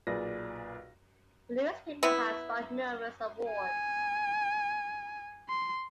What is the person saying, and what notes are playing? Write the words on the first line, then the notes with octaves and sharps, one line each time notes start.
The newspaper has won numerous awards.
B1 A#2 G#4 B4 D5 A#6
B3 E4
G#5
C6